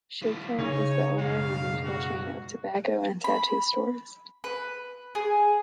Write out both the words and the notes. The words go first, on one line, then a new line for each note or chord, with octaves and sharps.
Sheikhan is the owner of a retail chain of tobacco and tattoo stores.
F#3 E4 F4
C#3 D#4 C#5
F#2 B2 G#3 F5
F#4
B5
B4
G#4